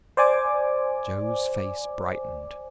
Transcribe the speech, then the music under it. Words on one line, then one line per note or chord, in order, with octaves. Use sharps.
Joe's face brightened.
C5 D5 G#5 D6